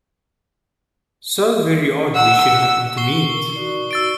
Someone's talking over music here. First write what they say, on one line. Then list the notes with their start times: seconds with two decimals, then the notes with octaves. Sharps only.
So very odd we should happen to meet!
2.15 F#5 E6
2.97 C#6 C7 G7
3.32 A#4
3.56 D#4 F#4 D5
3.91 E6 A6 D7